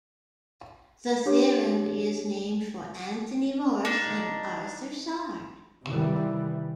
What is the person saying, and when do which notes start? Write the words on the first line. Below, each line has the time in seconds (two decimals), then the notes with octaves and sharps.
The theorem is named for Anthony Morse and Arthur Sard.
1.25 D4 G4 C#5 D6
3.85 A#3 D4 D#4
5.86 C3 D#3 E3 G3